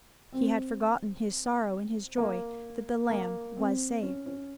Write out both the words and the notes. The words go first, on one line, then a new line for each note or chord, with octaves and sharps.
He had forgotten his sorrow in his joy that the lamb was saved.
C4
A#3
A#3
C4
C#4
C#4